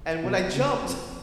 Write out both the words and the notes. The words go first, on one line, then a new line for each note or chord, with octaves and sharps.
and when I jumped,
B2
C#3
F2